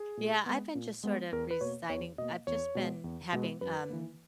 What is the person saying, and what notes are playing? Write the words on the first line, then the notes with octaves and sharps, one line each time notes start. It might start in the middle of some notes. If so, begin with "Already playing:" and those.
Yeah, I've been just, sort of, resigning I've just been having, um
Already playing: G#4
A#2
G#3 B3
A#2
G#3 B3
E2 A#4
B4
B2 A#3 C#5
E2 C#5
B2 A#3 D#5
E2 C#5
B2 G#3 B3
E2
B2 G#3 B3
F#2 B4
E3 A#3